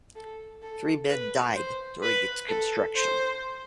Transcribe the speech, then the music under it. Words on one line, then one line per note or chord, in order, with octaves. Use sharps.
Three men died during its construction.
A4
A4
B4
C5
B4
A4
C5